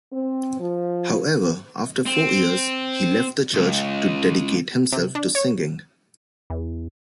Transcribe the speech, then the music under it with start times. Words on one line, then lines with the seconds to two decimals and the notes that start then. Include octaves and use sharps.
However, after four years, he left the church to dedicate himself to singing.
0.12 C4
0.60 F3
2.06 C4
3.53 C#2
4.92 C3
5.15 D4
5.35 C#5
6.50 E2